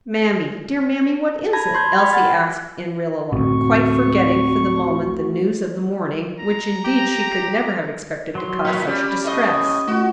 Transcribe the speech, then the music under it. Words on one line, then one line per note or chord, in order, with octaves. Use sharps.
"Mammy, dear mammy, what is it?" Elsie asked in real alarm, quite forgetting for the moment the news of the morning, which indeed she could never have expected to cause such distress.
A5 B5 G#6 A#6
B5 C6 G6 G#6
G4 G5 B5
F#5 G#5 B5 F6 A6
A1 D2 A3 C4 F#4 C#6
A#5
G4
F#3 C6
A2
G3 C#4 G4
A2 D#5
A3 F4 F#4